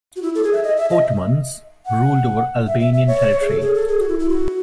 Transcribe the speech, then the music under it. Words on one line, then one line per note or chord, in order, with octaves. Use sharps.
Ottomans ruled over Albanian territory.
F#4
E4
A4
G#4
E5
D#5
E5
D#5
F#5
E5
E5
E5
C#5
G#4
A4
G#4
A4
G#4
F#4
E4
E4
F#4